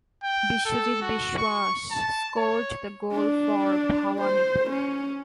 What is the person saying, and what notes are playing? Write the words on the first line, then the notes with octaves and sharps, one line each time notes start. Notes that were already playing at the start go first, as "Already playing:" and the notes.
Biswajit Biswas scored the goal for Bhawanipur.
G5
A4
F#4
C#6
A5
C#5
D4
C5
C#4